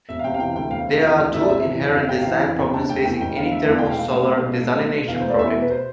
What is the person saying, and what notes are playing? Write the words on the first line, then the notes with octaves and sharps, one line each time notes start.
There are two inherent design problems facing any thermal solar desalination project.
E1 E5
F5
C3 G5
F5
E3 G5
D2 G5
E1 F5
C3
E3
D2
G1 E5
D5
C3 E5
E3
F2
G1 F5
C3 G5
F5
E3
F2
E1 G5
D3 A5
A3 G5
E2 G5
E1 G5
D3 F5
A3 E5
E2 F5
B1 G5
F5
A3
B1
B2
B1
A3
B1
B2
E2 F5
A3 C5
D5
E2 E5
B2
B4
C5